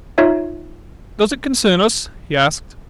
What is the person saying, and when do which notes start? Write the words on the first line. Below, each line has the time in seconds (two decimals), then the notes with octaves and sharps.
"Does it concern us?" he asked.
0.18 D#4 F4 C#5 E5